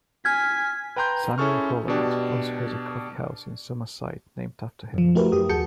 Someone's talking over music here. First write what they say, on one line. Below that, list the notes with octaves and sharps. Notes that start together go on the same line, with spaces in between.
Samuel Holland also has a coffee house in Summerside named after him.
G#5 F6 G#6 B6
B4 G5 A#5 C6 G6
C#4 E4 G#4 A4 C#6 F6
B2 D4 G4
F#2 F3
A3 E4 F#4 G4 A#4 B4
F#2 G4 D#6
D#2 F#4 G#4 A5 G6 C#7